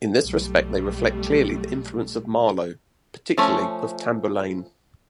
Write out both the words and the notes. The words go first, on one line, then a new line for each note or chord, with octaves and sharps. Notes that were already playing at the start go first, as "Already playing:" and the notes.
In this respect, they reflect clearly the influence of Marlowe, particularly of "Tamburlaine".
B1 G3 A3
F3 A3 C#4